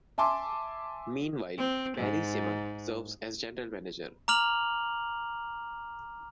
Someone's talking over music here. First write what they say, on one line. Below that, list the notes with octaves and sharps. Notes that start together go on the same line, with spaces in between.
Meanwhile, Perry Simon serves as general manager.
E5 G#5 A5 C6 D6
C4
G#2
A#5 D6 F6 F7 F#7